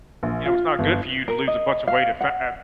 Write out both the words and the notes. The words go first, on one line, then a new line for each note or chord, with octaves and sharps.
you know, it's not good for you to lose a bunch of weight at f at,
A#1
F4
G1
A#4
D#5
F5
F#5